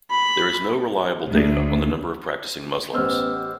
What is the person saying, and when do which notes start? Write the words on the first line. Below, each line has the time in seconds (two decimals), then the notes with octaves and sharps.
There is no reliable data on the number of practicing Muslims.
0.10 B5
1.30 D2
2.93 A1 B3 C#4 G4 C5 D#5 E6 F6